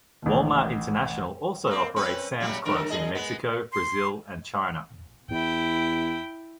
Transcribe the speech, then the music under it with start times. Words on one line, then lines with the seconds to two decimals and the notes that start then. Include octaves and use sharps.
Walmart International also operates Sam's Clubs in Mexico, Brazil, and China.
0.22 A1 D#2
1.67 A#3 C4
1.96 C4 C#4 B4
2.40 C#3 F#3 G3
2.65 G2 D3 A#4
2.90 F#2 G#4 D#5
3.15 G#3 B3
3.72 C6
5.31 E2 E4 G5